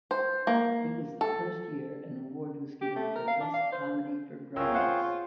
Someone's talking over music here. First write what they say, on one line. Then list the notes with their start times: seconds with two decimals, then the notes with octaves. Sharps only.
It was the first year an award was given for Best Comedy for Grownups.
0.11 C5
0.47 A#3
1.21 A4
2.81 G4
2.96 A3
3.15 A#4
3.28 F5
3.40 D4
3.53 F5
3.72 C5
4.56 C2 F4 G#4 A#4 C#5 G5 E6
4.74 C5 F5 F#5